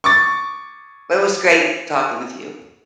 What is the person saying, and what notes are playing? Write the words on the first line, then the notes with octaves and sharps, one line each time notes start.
but it was great talking with you.
C#6 D6 A6